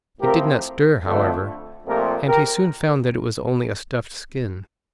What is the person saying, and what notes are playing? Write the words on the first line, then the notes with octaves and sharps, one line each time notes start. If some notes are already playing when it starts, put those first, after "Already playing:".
It did not stir, however, and he soon found that it was only a stuffed skin.
A2 F3 C4 G4 A#4
F2 D3 F3 A3
A#2 F3 A3 C4 G4 A#4
G4 A#4